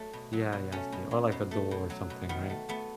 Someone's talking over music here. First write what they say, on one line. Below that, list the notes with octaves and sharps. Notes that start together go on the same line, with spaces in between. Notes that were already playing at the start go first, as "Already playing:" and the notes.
Yeah, yeah, I see, or, like, a door or something, right?
Already playing: F#3 A3
B2
F#3
B2
A3 C#4
B2
F#3
B2
A3
B2
F#3
B2
D#3 B3
A3
A3 B3